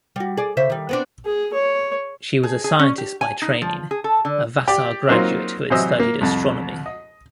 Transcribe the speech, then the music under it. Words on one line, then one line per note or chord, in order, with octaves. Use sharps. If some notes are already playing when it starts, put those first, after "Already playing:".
She was a scientist by training, a Vassar graduate who had studied astronomy.
G3 F#4
G#4 D5
C#3 C5 E5
D#3 G3
B3 C4 D4
G#4
C#5
G#4
G#4
C#4
G4
G#5
D#4
F3
G#4
A4
D3
G4 D5 G5
F#3 A#3 C4 D#4 F4
C3 E3 F#3 C5 D#5 E6
A#3
C2 F2
D#5